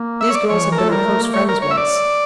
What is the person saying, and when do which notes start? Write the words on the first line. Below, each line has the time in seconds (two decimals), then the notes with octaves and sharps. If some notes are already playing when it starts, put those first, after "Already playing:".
These girls had been her close friends once.
Already playing: A#3
0.21 E5
0.30 C#5
0.35 D5
0.49 F3 C#5
0.63 E3
0.72 A#4
0.78 A3 A4
0.92 G3 A#4
1.06 A3
1.20 A#3
1.34 A3 C#5
1.49 A#4
1.62 C#5
1.71 E5
1.77 D5